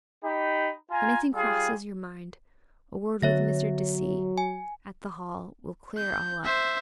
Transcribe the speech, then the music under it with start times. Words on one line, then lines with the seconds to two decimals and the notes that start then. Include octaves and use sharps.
If anything crosses your mind, a word with Mr. De C. at the Hall, will clear all up.
0.24 D#4 G4 B5
0.90 F4 G#5 A#5
1.34 G3 F4 G#4
3.22 D3 F#3 B3 C#5 E5 A#6
4.38 G#5
5.97 G6
6.44 C5 E5